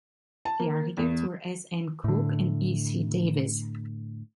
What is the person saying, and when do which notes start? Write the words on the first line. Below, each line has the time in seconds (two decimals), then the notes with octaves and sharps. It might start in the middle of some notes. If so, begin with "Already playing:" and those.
The architects were S. N. Cooke and E. C. Davies.
0.45 A5
0.59 A#3
0.97 E2
2.04 A2 D3